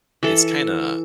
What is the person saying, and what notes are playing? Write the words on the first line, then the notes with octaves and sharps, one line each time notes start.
it's kinda
E3 A4